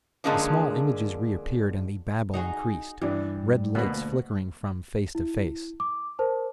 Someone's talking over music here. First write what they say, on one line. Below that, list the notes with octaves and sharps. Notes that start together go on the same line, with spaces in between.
The small images reappeared and the babble increased, red lights flickering from face to face.
D3 F3 G#3 A#3 C#4 D4
D#4 F#4 G#4
G2 E3 D4
D2 B2 A#3 F#4 B4
E4
D6
A#4 C5 A5